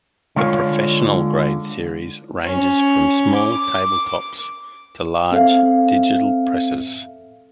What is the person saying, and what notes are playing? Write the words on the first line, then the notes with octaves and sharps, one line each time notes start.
The professional grade series ranges from small table tops to large digital presses.
D3 G#3 F4 C#5
C#4
D6
C4 A4 E5 F5